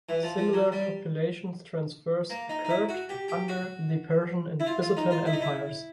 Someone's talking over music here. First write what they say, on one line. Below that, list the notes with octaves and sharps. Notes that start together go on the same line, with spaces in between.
Similar population transfers occurred under the Persian and Byzantine Empires.
E3
F3
F3
F#3
G3
A#3
D#4
D#4
E4
F#4
G4
G4
F#4
E4
F4
F4
D#4
F4
E4
D#4
E4